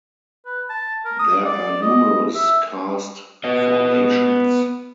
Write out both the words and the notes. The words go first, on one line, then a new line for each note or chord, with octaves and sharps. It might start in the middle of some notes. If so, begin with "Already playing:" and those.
There are numerous karst formations.
B4
A5
A#4
D#6
D5
D#5
E5
B3 D#5